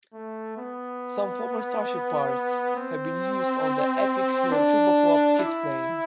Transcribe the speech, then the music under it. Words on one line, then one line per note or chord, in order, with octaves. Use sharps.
Some former Starship parts have been used on the Epic turboprop kitplane.
A3
B3
C4
D4
E4